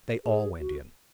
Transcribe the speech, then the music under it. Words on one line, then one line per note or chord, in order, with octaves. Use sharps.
They all went in.
G#4
F#4